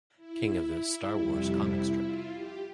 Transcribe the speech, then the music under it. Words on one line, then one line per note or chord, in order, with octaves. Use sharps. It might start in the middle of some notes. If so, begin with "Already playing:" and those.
King of the "Star Wars" comic strip.
E4
F2 C3 G3
F4
G4